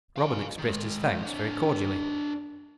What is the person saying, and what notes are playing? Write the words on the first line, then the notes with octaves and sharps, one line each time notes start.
Robin expressed his thanks very cordially.
F5 G#5
D#3 G#3
D4 C#5